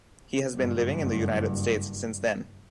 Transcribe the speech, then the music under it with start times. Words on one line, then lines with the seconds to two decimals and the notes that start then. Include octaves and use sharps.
He has been living in the United States since then.
0.54 F#1 G2